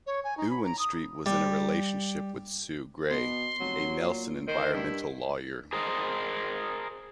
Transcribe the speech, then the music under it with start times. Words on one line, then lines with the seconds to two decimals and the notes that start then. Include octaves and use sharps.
Ewen-Street was in a relationship with Sue Grey, a Nelson environmental lawyer.
0.07 C#5
0.24 G#5
0.38 D#4
0.50 B5
0.65 A#5
0.79 D#6
1.26 G3
3.11 B2 C6
3.60 F1 F#3
4.01 A#2
4.48 D#3 C5
4.73 G2 E4
5.73 G#4 A#4 C5 D#5